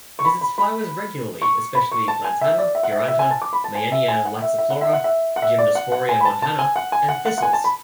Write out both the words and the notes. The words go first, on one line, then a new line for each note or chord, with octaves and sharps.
Visits flowers regularly especially "Lantana", "Duranta", "Meyenia laxiflora", "Gymnosporia montana", and thistles.
C#6
B5
B5
B5
C#6
B5
C#6
A5
G#5
E5
D5
E5
F#5
E5
E5
G#5
A5
D6
B5
A5
G#5
E5
G#5
F#5
E5
E5
F#5
E5
F#5
E5
F#5
E5
D5
F#5
F#5
G#5
B5
A5
A5
G#5
F#5
G#5
F#5
F#5
F#5
G#5
A5
B5